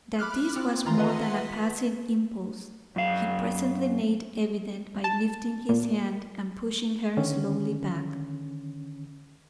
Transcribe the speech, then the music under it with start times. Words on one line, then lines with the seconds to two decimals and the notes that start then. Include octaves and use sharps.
That this was more than a passing impulse he presently made evident by lifting his hand and pushing her slowly back.
0.19 B5 D6 F6 F#6
0.54 C4 F4
0.85 D#3 E3 F4 A#5 C6
0.97 G#4 B4 D#5 E5 F#5 C6
1.37 B6
2.96 F#2 F5
5.04 A5
5.69 A#2
7.17 D3 D#3 C#4